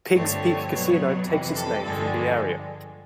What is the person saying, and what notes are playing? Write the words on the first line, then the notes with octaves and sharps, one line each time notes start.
Piggs Peak Casino takes its name from the area.
G2 D3 F3 A3 C4 C#5
B2 F#3 B3
F2 C3 E3
A4
G2 D3 F3 G#3 A4